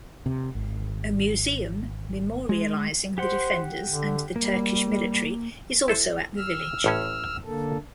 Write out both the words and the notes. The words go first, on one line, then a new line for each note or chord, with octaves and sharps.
A museum memorializing the defenders and the Turkish military is also at the village.
C3
G#1
G#3
G4 C5 F#5 G5
D3
G3 A#3
E4 A4 C5
E6 F6
A1 A2 C#4
D3 A#3 A4